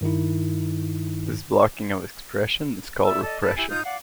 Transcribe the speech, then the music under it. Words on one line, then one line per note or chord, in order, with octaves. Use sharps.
This blocking of expression is called repression.
G2 D#3 D#4 E4
D5 E5 E6
A4 D5 D#5
A4 B4 F#6
E4 G4 G#5
D#4 F4 D#6 G6
D5 F5 F#5 D6